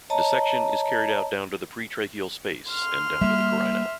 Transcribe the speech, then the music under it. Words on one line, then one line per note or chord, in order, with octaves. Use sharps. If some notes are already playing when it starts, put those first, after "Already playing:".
Dissection is carried out down to the pretracheal space and down to the carina.
C#5 D#5 A5 A#5
C6 F6
G3 A#3 E5